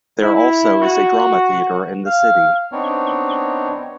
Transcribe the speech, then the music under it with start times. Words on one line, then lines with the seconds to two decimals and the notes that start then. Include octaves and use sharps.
There also is a drama theater in the city.
0.21 E4
0.81 F#4
2.06 F5
2.72 B3 C4 D4 D#4 C#5